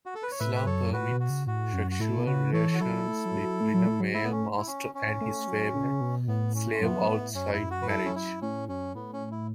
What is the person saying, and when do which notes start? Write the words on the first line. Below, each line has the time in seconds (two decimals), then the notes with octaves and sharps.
Islam permits sexual relations between a male master and his female slave outside marriage.
0.06 F#4
0.15 A4
0.23 B4
0.31 C#5
0.40 A2 B4 E5
0.55 B4
0.66 F#2 A4 C#5
0.93 A2 F#4 B4
1.11 B2
1.20 F#4
1.29 C#3
1.47 A2 F#4
1.73 F#2
1.91 F#4
2.00 A2 E4 A4
2.17 B2
2.26 C#3 F#4 B4
2.53 E3 A4 C#5
2.74 F#4
2.80 F#3 E4 A4
3.08 A3
3.25 F#3
3.43 F#3
3.60 A3
3.74 F#3
3.87 A3
4.00 F#3
4.14 A3 E4
4.24 B3
4.32 C#4
4.57 E4
4.67 C#4
4.95 C#4
5.21 A3
5.48 F#3
5.74 C#3
6.01 B2
6.28 A2 B3
6.55 C#4
6.81 F#2 B3
6.97 F#2
7.08 A2
7.34 F#2 C#4
7.53 E4
7.62 F#2
7.70 F#4
7.82 B4
7.88 E4 A4
8.05 C#4
8.16 E4
8.42 A2 C#4
8.69 F#2 C#4
8.95 A2 B3
9.13 C#4
9.31 E4